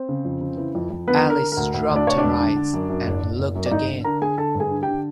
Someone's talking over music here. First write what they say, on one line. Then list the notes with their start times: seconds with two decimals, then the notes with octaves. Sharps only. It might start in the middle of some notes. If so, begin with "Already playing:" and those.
Alice rubbed her eyes, and looked again.
Already playing: C4 C5
0.09 C#3
0.25 F2
0.41 C#3
0.57 E3
0.75 F2
0.91 F2
1.07 D3 B3 B4
1.23 D3
1.30 A#4
1.40 D3
1.52 A#4
1.57 D2
1.74 D2
1.91 D2
1.96 D4 D5
2.06 D2 C#5
2.17 D4 D5
2.24 E1
2.40 D3
2.56 D3
2.73 F#2
2.89 F#2
3.06 F#1
3.22 F#1
3.38 F#1
3.55 F#2
3.66 D5
3.71 G1 D#4 D#5
3.89 D3
4.04 D3 A#4 A#5
4.22 D3 G#4 G#5
4.38 D3 A4 A5
4.55 G2
4.60 G#4 G#5
4.71 D3
4.82 G4 G5
4.88 D3